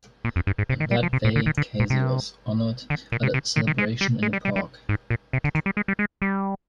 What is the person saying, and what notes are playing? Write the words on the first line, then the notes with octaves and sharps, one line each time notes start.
On that day, Casey was honored at a celebration in the park.
A#2
F2
G2
G#2
C3
D#3
G3
F3
C3
A#2
D3
D#3
D3
A#2
C3
D3
A#2
C3
C3
D#3
D#3
G#3
G3
G#3
G3
G3
G3
G#2
A#2
C3
D3
D#3
G3
G#3
G3
G#3
G3